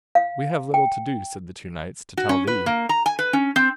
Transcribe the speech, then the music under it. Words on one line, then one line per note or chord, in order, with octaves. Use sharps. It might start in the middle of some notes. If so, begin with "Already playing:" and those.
We have little to do, said the two knights, to tell thee.
F5
G5
F#4
C#4
B4
A#3
A#5
G#5
B4
C#4
C4